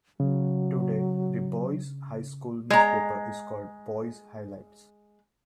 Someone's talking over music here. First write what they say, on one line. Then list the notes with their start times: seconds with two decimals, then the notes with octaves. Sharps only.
Today, the Boise High School Newspaper is called "Boise Highlights".
0.20 C#3 F#3
2.70 G#3 A#5